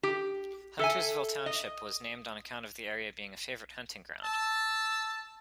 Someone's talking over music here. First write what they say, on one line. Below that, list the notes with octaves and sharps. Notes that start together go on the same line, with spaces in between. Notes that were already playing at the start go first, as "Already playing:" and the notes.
Huntersville Township was named on account of the area being a favorite hunting ground.
G4
A4 E5 G#5
D#5
A5 E6